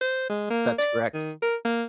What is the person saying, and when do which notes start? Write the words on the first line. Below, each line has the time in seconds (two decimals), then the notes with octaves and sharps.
That's correct.
0.01 C5
0.29 G#3
0.50 A#3
0.78 D5
1.14 D#3
1.42 A#4
1.65 A#3